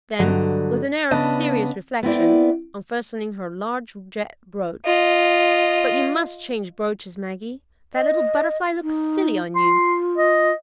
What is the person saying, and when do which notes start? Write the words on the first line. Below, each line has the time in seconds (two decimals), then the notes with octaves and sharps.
Then, with an air of serious reflection, unfastening her large jet brooch, "But you must change brooches, Maggie; that little butterfly looks silly on you."
0.19 G2 D3 F#3 D#5
1.11 C#3 B3 D4 D#5 A5
2.03 B3 C4 E4 D5
4.86 F4 D#5
7.95 D#5
8.83 D#4
9.56 F4 C6
10.18 D#5